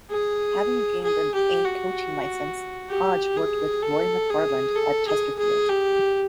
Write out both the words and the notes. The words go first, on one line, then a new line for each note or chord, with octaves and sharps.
Having gained an A coaching licence Hodge worked with Roy McFarland at Chesterfield.
G#4
G#4
G4
F#4
G4
G#4
A4
G#4
A4
G#4
G#4
G4